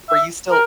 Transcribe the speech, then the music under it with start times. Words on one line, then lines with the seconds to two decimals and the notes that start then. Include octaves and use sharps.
were you still
0.09 E5
0.51 A#4